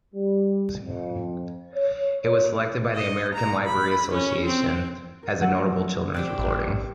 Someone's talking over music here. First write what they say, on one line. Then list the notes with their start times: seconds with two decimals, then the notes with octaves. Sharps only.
It was selected by the American Library Association as a Notable Children's Recording.
0.14 G3
0.83 F2
1.74 C#5
2.94 D#5
3.34 A#5
3.66 B5
4.13 C#4
4.46 C4
5.23 A#4
5.40 F#3 A3 F#5 E6 A6 A#6
6.14 C4 D4 G4
6.39 A1